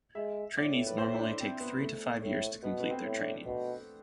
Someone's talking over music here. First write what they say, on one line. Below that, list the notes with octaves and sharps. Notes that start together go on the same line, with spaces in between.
Trainees normally take three to five years to complete their training.
G#3 E5
A2 D5
B4
C5
E4
D4
C4
B3
A3
A2 A3
B2 B3
B3
C4
A2
D4
B2